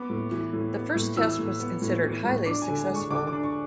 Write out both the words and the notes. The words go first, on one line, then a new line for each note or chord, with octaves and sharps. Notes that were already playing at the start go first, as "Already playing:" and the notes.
The first test was considered highly successful.
Already playing: B3 D6
A2
E3
A2
B3
A2
E3 E6
A2
B3
A2
E3
A2
D4 D6
G#5
D3
G#5
G#3 C#6
D3 D6
D6
D4
C#6